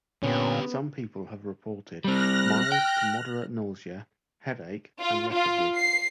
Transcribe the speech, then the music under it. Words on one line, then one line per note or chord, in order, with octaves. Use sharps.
Some people have reported mild to moderate nausea, headache, and lethargy.
A#2 D3 B3 C#4 G4
G3 C4 F6 F#6 A#6
G5
F4
F4
C7